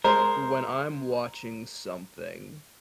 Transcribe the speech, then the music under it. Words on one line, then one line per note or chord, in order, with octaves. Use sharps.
when I'm watching something,
G#3 A#4 C5